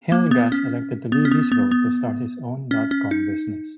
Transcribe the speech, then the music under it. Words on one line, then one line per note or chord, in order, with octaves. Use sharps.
Hillegass elected to leave his role to start his own dot-com business.
A#3
B3
C#4
B3
C#4
B3
B3
B3
C#4
C#4
D#4